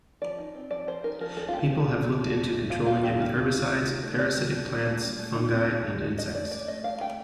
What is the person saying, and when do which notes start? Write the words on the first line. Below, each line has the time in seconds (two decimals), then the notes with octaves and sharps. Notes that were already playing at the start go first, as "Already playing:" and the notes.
People have looked into controlling it with herbicides, parasitic plants, fungi and insects.
0.22 F3 D5
0.38 D#4
0.55 C4
0.71 F3 D5
0.87 F3 C5
1.04 D#4 A#4
1.21 F3 A#4
1.37 D4 A4
1.48 F4
1.53 A#3 G4
1.70 F3
1.87 F3
2.04 D4
2.21 F3
2.37 D4
2.53 A3
2.70 F3 F4
2.86 F3 F4
3.03 D4 G4
3.20 D#4 F4
3.36 A3
3.53 D#4
3.70 A3
3.86 D#4
4.03 A3
4.14 C5
4.19 D4 D5
4.36 G3
4.52 D4
4.69 G3
4.86 D4
5.02 G3
5.19 A3
5.35 D#4
5.52 C4
5.68 A3
5.85 A3
6.02 D#4
6.18 D4 D#5
6.34 A3 D5
6.51 D4 D5
6.68 A3 D#5
6.84 D4 F5
7.01 A3 G5